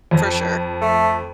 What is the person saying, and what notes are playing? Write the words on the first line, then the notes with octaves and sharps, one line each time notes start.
For sure.
F2
A3